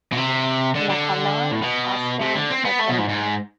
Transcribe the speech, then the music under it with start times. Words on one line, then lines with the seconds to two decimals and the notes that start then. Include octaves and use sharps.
Mohammad Aslam Watanjar.
0.13 B2
0.17 C3
0.75 D3
0.89 D3
1.51 A2
1.63 B2
2.21 C3
2.35 D3
2.50 C4
2.65 B3
2.79 A3
2.89 B2
2.99 G#2
3.09 G#2